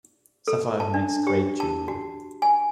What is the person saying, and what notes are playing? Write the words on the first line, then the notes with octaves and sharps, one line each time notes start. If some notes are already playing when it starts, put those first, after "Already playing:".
Sapphire makes great jewellery.
A4
A5
D4
G4
A5
F#4
G#5